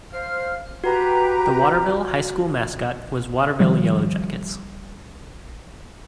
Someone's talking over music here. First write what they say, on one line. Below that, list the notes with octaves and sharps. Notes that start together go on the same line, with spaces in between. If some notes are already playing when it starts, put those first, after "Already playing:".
The Waterville High School mascot was Waterville Yellow Jackets.
C5 F5 F6
F#4 G4 B4 A#5
D#3 F3 G3